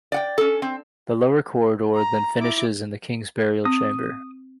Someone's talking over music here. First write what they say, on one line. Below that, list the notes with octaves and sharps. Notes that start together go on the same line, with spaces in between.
The lower corridor then finishes in the king's burial chamber.
D5 F#5 G5
C#4 A4
C4
A#5
E4 D6
C4 D#6